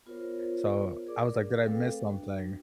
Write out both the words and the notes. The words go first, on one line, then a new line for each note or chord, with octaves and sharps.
so I was like, "Did I miss something?"
B3 F4 F#4 A#4 C5 C#5
G#4 A#4 D5 D6
A3 C4 A4 B4 F5 G5
D4 F#4